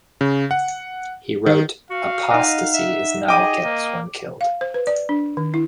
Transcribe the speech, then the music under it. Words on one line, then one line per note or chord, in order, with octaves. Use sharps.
He wrote, Apostasy is not what gets one killed.
C#3
F#5
D#3
F#4 F5
D#4 D#5 F#5
E5
G#4 D#5 G5 D6 D#7
A#3
F5
C5
B4
D5
D4
D#3
E4